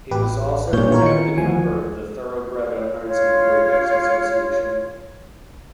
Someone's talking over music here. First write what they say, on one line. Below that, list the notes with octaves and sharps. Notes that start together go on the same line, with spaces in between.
He was also the founding member of the Thoroughbred Owners and Breeders Association.
A1 G4 B4
G2 A#2 C#5 G6
D#3 E3 F4 A#4 C#5
C#7
D2 F3 G#5
F4 C#5